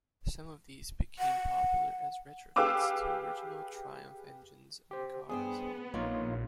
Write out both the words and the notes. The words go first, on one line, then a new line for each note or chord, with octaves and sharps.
Some of these became popular as retrofits to original Triumph engines and cars.
F#5
G4 G#4 B4 F5 D6 E6
G4 C5
G2 B3 G#4 C5 G5
A#1 A#3 D#4 F4 C#5